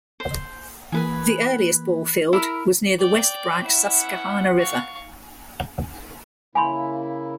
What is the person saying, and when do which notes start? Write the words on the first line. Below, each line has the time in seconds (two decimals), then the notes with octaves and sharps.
The earliest ballfield was near the West Branch Susquehanna River.
0.20 C5
0.92 E3 A#3 G#4 B4 G#5
2.33 E4 A#4 E5
2.99 D5 G5
3.64 B3 C#4 E4 E5 F#5
4.58 F5 C#6
6.55 C#3 A#3 E4 G#5 B5 C6